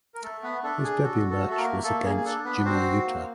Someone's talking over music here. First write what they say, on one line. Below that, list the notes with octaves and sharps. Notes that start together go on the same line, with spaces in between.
His debut match was against Jimmy Yuta.
A#4
A3 A4
B3 B4
D4 A4
G#4
F#4 A4
A4
A3
A4
A#3 A#4
A#3 A4
G#4
G#4
D4 A4
B3 B4
C4 F#4 C5
A#3